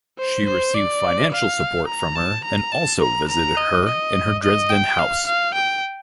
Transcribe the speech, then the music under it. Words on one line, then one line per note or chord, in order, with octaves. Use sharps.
She received financial support from her and also visited her in her Dresden house.
C5
C5
D5
F5
A#5
A5
A#5
A5
A#5
A#5
D#5
D#5
D#5
G5
F5
F5
G5